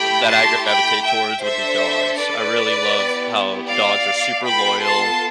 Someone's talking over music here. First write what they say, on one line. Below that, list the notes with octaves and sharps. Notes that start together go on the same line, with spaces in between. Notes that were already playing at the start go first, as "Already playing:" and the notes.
th that I gravitate towards, would be dogs. I really love how dogs are super loyal.
Already playing: A3 E4 G4 G5 B5
A5 C6
G5 B5
E5 G5
D4 A4 C5 E5
B4 D5
B3 E4 G4
D5 F5
B3 F4 A4 G5 B5
A5 C6